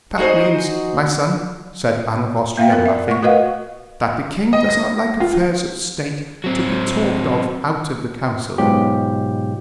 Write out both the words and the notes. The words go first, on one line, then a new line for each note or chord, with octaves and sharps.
"That means, my son," said Anne of Austria, laughing, "that the king does not like affairs of state to be talked of out of the council."
D#4 F#4 G#4 C5 D#5
A#3 E5 F5 G5
B3 A#4
D5 E5
A3 C#6
F#4 A#4 B4 D#5 F5 F#5
D#5
A#6
F4
F#3 C4
G#2 B2 F#3 F4 G4